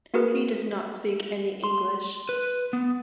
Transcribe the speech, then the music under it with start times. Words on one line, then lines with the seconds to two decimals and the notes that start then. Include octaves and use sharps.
He does not speak any English.
0.14 A#3 F#4 G#4 A#4 B4
1.64 C6
2.29 B4
2.73 B3